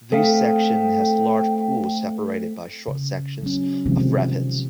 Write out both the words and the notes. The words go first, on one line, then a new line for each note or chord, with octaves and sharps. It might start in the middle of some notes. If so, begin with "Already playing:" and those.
This section has large pools separated by short sections of rapids.
A3 C4 A4 F5 G5
C#3
F#3 C#4
C3 D#3 F3 G3 G#3 C4